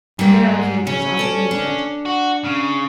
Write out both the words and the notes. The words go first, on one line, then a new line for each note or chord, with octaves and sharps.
The barricade was underneath it.
G#2 G3 A#3
C#3 C#4
D2 A4 D5
D4
F#4
C#3